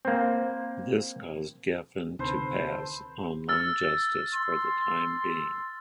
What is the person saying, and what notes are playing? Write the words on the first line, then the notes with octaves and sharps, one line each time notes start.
This caused Geffen to pass on Lone Justice for the time being.
A#3 C4
D2 C3 D#3 A4 B4 C5
E6 F6 A6
C6